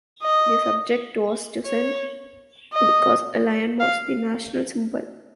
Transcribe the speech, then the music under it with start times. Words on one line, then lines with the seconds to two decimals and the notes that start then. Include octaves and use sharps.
The subject was chosen because a lion was the national symbol.
0.23 D#5
1.66 C#5
2.73 D#5
3.80 F5